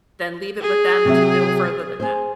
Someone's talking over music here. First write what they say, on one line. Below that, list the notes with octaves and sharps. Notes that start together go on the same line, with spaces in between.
then leave it with them to go further than that.
G#4
C3 F#3 E5
G#4 C5